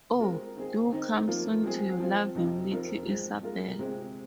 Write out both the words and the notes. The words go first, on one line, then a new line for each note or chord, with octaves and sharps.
Oh, do come soon to your loving "Little Isabelle."
G#3 C4 F4 A#4
D#3 C4 G#4
D#3 C4 D#4
F3 A#3 F4
F3 G#3 C4 G#4
F3 C4 F4
F2 C3 F3 C4 D#4
F2 F3 C4 F4 A#4
G#2 F3 G#3 C4
G#3 F4 A#4
C3 G#3 C4